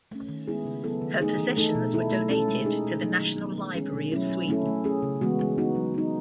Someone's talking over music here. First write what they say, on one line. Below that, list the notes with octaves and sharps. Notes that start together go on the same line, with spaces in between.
Her possessions were donated to the National Library of Sweden.
A3 C#4
D#3
G#3 B3 E4 G#4
C#3
F#3 B3 E4 A4
D#3
A3 D#4 G#4
E3
A3 D#4 A4
B2
A3 E4 A4
A3
C#4 E4 A4
G#3
D#4 G#4
B2
F#3 A3 D#4
D#3
F#3 B3
D#3
G#3 C#4 G#4
B2
F#3 A3 C#4 E4
F#3
A3 C#4 E4 A4
A3
C#4 G#4
C#3
E3 G#3 B3 F#4
G#3
B3 D#4 F#4
F#3
B3 D#4